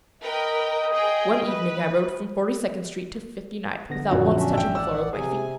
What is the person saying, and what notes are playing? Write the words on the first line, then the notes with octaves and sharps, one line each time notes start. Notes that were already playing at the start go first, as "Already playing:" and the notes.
One evening I rode from Forty-second Street to Fifty-ninth without once touching the floor with my feet.
A#4 B4 D#5 G5
G#4 G5
B4
D3 B3 A#6
A#1 F#2 F#4
C#4 D4 E5
A1 G5 E6
D5 F#5 E6
C3 G#4 G#5